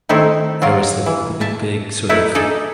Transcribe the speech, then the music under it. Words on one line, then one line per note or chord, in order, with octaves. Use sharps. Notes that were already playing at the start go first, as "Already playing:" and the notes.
there was the big big, sort of,
D#3 A3 C4 D#4 E4
F#3 F4 A#4
E3
E5 A5
A3 D#4 E4 B4 E5
D#4 G#4 A4 D5